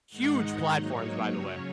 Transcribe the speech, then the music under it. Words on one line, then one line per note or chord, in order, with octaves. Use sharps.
Huge platforms, by the way.
G#2 D#3 G#3 D#4 F#5
D#5
G#2 F#3 A#3 D#4 C#5
C#3 F#3 C#4